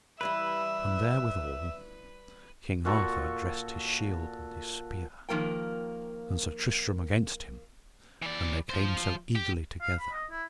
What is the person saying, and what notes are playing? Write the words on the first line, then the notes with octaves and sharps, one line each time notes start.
And there withal King Arthur dressed his shield and his spear, and Sir Tristram against him, and they came so eagerly together.
E3 G3 E4 B4 E5
A#2 F#4 A4 C#6
D#3 F3 A#3 A#4 G5
E3 D5
F3 C5
G4
F5
B5
D#5
E4